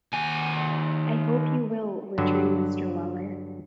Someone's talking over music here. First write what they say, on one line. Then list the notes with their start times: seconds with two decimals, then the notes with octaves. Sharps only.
'I hope you will,’ returned Mr. Weller.
0.13 D#2 G#5
2.18 G2 D3 F#3